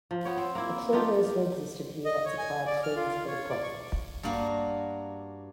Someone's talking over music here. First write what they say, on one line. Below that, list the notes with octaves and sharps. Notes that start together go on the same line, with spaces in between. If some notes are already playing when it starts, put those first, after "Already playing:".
A tree nursery existed here that supplied trees for the province.
F3
B3 C#5
C4
A#3 E4
A3 D#4 F4 G4
D#5
C#5
G#5
D5
F6
F4
C#5
D5
C#6
G2 A#3 F#4